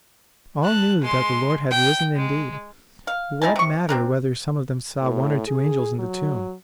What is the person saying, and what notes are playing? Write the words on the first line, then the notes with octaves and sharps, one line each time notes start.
All knew that the Lord had risen indeed: what matter whether some of them saw one or two angels in the tomb?
A5 F#6
G#3 C6
G5
G#3
F5
D#4 E4 G#5 A5
C3 C#6
C4 D4 A#4
A2
G#4
F#3